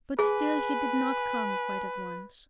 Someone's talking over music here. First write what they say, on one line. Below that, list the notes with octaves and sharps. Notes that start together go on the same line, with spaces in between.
But still he did not come quite at once.
G#4 B4 G#5